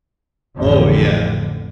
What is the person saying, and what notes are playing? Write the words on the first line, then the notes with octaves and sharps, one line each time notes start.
Oh, yeah.
A1 F2 D3